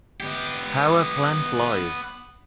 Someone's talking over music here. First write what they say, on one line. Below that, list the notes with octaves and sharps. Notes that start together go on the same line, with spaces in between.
Power Plant Live!
B3 G4